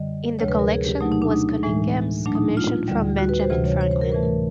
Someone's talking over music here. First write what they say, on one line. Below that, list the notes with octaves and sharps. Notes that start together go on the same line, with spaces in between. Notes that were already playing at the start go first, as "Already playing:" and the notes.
In the collection was Conyngham's commission from Benjamin Franklin.
Already playing: F#2 D3 G3 D#5
D2 C3 F3 G#3 C#5
B4
A#4
G#4
G4
B2 F#3 A3 D#4
D#4
D4
D#4
A2 E3 G#3
A#2 F#3 A3 D4
D#4
F4
D2 D3 G3
F#4
B4
C5
D2 C3 E3 G3 C5
C#5
C#5
C5
A#4
A2 E3 A3 B4
A#4